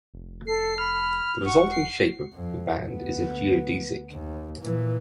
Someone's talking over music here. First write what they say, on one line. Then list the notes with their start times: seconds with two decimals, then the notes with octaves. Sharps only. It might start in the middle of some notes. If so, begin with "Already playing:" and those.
The resulting shape of the band is a geodesic.
0.14 F1
0.47 A4 C7
0.78 B5 F6
1.46 E1 F#5 C#6
1.71 C7
2.34 F2
2.87 D2 B3
4.11 D#2
4.62 A#2 E3